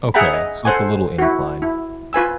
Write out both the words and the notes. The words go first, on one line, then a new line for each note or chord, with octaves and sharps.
Okay. It's like a little incline.
G#4 E5 F#5 G5 A#5 B5
D#5
A4 C5 F#5 G#5
E4 F#4
E4
F4 B4 G#5 E6